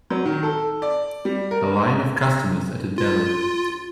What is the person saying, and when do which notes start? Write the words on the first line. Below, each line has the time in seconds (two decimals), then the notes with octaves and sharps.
A line of customers at a deli.
0.10 F#3
0.25 D#3
0.43 A4
0.82 D5
1.25 G3
1.51 A#4
2.98 F4